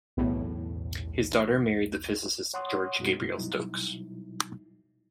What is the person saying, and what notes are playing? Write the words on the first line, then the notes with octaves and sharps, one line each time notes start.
His daughter married the physicist George Gabriel Stokes.
B1 E2 A2
C#5 F#5 C6 C#6 D#6
F#2 B2 G3 G#3 D#4 F#4
B2 F#3 G3 D#4 E4